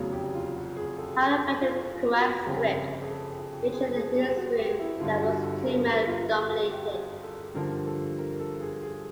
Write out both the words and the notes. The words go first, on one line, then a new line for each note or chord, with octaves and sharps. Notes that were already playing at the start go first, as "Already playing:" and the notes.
Howard felt the Koepps' script featured a newsroom that was too male-dominated.
Already playing: F1 E2 C#3 F#3 G#4
G4
F4
F#4
G#4
A4
A4
F4
F4
F#4
G1 F2 C#3 G4
G#4
A4
G#4
G#4
G4
F#4
G4
E4
G1 G2 D3 F4
F#4
A4
A#4
B4
F4
F4
F#4
G4
G#4
A4
G2 D3 F3 A#4
A4
A#4
A4
G#4
G#4